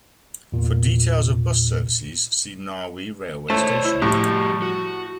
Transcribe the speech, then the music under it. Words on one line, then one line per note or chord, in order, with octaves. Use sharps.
For details of bus services see Narwee railway station.
E2 A#2
A3 C5 C#5
E4
A2 F3 G3 G4
F#4